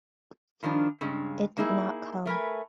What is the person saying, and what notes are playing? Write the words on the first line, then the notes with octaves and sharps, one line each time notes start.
It did not come.
G2 D#3 F3 D4
G2 C#3 G#3
A#3 D#4 E4 G#4
A3 A#4 B4 G#5